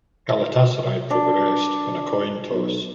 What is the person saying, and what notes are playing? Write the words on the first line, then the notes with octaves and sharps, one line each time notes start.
Galatasaray progressed on a coin toss.
D4
B1